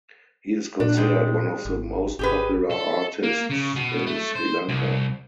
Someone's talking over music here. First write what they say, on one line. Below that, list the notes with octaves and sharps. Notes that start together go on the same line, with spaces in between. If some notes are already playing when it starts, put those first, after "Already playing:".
He is considered one of the most popular artists in Sri Lanka.
A#2 D4
G3 G#3
G#1
G#1 G4 G#4 B4
A4
A#3
C#3
B2
A3
C5
C2